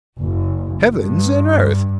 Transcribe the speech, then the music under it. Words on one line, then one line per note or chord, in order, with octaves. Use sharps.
Heavens and earth!
F#1
G2